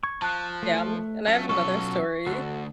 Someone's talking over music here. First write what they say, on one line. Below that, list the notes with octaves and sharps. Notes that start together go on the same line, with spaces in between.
Yeah. And I have another story of
C#6 G#6
F3 A5 F#6
A3
F#3 A3 C#4 F4
B1 A4 C#6
D2 F#4 A4